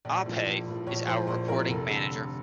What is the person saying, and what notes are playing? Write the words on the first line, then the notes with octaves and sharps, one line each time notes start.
Abhay is our reporting manager.
A#1 D5
A2 F3
A#1
A2 F3
A#1 C#5
A2 F3 C5
A#1 C5
A2 F3 A#4
F1 A4
D3 A4